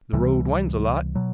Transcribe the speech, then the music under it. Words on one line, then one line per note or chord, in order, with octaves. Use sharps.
The road winds a lot.
C#2 C3 E3 G3
B2 F#3